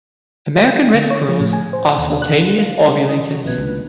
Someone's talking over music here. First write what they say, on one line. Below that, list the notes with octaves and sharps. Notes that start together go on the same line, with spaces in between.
American red squirrels are spontaneous ovulators.
D3
C#5
F3
A2
G#5
C5
F#5
D#2
D4
F#6
F5
G3 A#4 C#5
D#3 C#4 E4 D#6
F#4
A#1 B2 B4 E5 G#6
C#2 G#3 A#3 D4